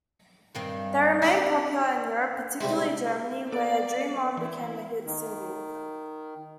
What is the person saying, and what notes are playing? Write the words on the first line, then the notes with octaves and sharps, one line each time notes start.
They remained popular in Europe, particularly Germany, where "Dream On" became a hit single.
G2 D#3 C4
C4 D4 D5 A#5
C3 G3 G#3 E4
B3 A4 D5 D7
E3 E4
D#3